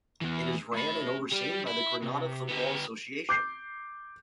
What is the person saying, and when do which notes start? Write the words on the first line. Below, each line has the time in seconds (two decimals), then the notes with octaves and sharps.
It is ran and overseen by the Grenada Football Association.
0.21 E2 E3
0.74 A3 B5
1.32 G3 G4
1.68 E4
2.03 C3
2.49 B3 G4
3.29 D6 G6 C7